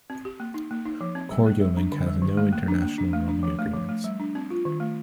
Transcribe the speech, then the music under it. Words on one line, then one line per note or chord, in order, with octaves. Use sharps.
Koryolink has no international roaming agreements.
C4
G4
A#3
D#4
A#3
D#4
F3
C4
G3
A#3
G3
D4
D3
G3
D#3
A3
A#3
D4
A#3
D4
A3
D4
F3
A3
F3
A3
G3
D4
C4
F4
D#3
A3